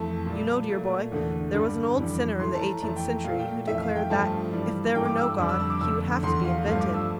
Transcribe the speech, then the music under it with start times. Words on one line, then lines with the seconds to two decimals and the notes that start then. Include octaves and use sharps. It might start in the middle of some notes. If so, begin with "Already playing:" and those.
You know, dear boy, there was an old sinner in the eighteenth century who declared that, if there were no God, he would have to be invented.
Already playing: F2 E3 A3 A5
0.26 A#2 G3
0.69 A#2 A3
1.12 E2 D3 A3
1.54 G2 D3 G3
1.97 F2 E3 G3
2.39 A2 E3 A3 C6
2.54 A5
2.61 A#5
2.82 F2 E3 A3 A5
2.96 G5
3.24 A#2 A3 F5
3.39 G5
3.67 F2 E3 A3 E5
3.82 F5
3.96 G5
4.10 G2 F3 A3 A5
4.53 G2 E3 G3
4.95 G2 E3 A3 G5
5.06 D6
5.17 E6
5.38 F2 D3 G3 D6
5.49 E6
5.60 E6
5.70 D6
5.81 F2 D3 A3 E6
6.23 E2 E3 A3 C6
6.45 F5
6.66 G2 F3 A3 F5
6.80 D6
6.94 E6